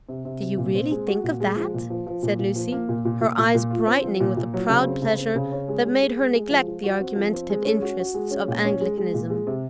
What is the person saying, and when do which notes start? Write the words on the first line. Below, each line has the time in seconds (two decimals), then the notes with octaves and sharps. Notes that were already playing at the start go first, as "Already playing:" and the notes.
"Do you really think of that?" said Lucy, her eyes brightening with a proud pleasure that made her neglect the argumentative interests of Anglicanism.
0.09 C3
0.25 C3
0.42 C3
0.58 A#2
0.75 C4
0.91 G#3
1.07 F#4
1.24 A#2
1.40 G#3
1.56 F3
1.74 A#2
1.90 F3
2.06 F3
2.23 A#2
2.39 A#2
2.56 F3
2.72 A#3
2.89 A#2
3.05 A#2
3.21 A#2
3.38 A#2
3.55 A#2
3.70 F4
3.87 C4
4.03 F3
4.20 A#2
4.37 A#2
4.54 F#3
4.69 C#3
4.87 C4
5.02 C#3
5.19 C4
5.36 C#3
5.52 C#4
5.68 G#3
5.85 G#3
6.01 G#3
6.17 G#3
6.34 G#3
6.50 F3
6.67 F3
6.83 F#4
7.00 C4
7.16 F3
7.33 C4
7.50 G#3
7.65 C#4
7.82 F#4
7.99 F#4
8.14 G#3
8.31 C#4
8.48 A#2
8.65 C#4
8.81 G#3
8.98 G#3
9.14 A#2
9.30 G#3
9.47 C3